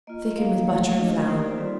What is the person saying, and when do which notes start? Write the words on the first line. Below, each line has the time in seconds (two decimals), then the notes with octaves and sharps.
Thicken with butter and flour.
0.07 A#3 F4 D#5
0.37 A#3 D#4 F5
0.67 A3 D#4
0.97 A3 D4 F4 D#5
1.07 G4
1.18 A#4
1.27 A#3 D#4 C5
1.42 D5
1.57 G3 C4 F4 A4